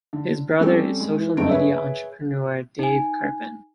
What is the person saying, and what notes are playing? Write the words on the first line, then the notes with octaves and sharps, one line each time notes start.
His brother is social media entrepreneur Dave Kerpen.
D3
G3 C4 C#4 G4 A4
G#3
E3
F#1 G2 A3 C4 D#4 D7
G#4 B4 C#5 E5
D#4 G#5